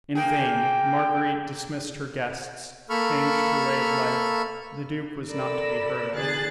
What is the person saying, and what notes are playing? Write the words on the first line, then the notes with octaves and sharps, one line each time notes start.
In vain Marguerite dismissed her guests, changed her way of life; the duke was not to be heard of.
A#3 G#4 G5
A#3 A4 B5 C#6 F6
A4 A#4 D5 B5 E6
E2 D3 G#4 F#6 A6